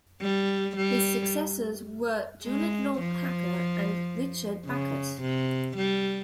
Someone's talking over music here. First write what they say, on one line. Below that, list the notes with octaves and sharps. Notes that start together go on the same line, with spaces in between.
His successors were Juliet Law Packer and Richard Backus.
G3
G3
G#3
F3
C#3
C3
G3